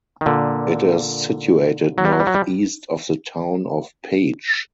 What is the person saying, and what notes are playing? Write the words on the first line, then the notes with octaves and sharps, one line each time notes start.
It is situated northeast of the town of Page.
D#3
A#2 D3
F#3
G3
F#3
G3
F#3
G3